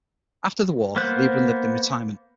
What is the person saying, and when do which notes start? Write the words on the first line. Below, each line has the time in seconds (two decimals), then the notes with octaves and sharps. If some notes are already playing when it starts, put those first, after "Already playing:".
After the war, Lebrun lived in retirement.
0.96 A#3 B3 C5 F#6